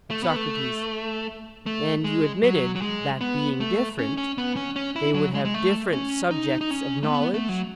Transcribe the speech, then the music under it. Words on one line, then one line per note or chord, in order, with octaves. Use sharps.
SOCRATES: And you admitted that being different they would have different subjects of knowledge?
A3
B3
A3
A3
G#3
F#3
F#3
G#3
B3
A3
C#4
C#4
B3
C#4
C#4
E4
F#3
G#3
G#3
A3
C#4
D#4
D#4
C#4
A3
B3
A3
F#3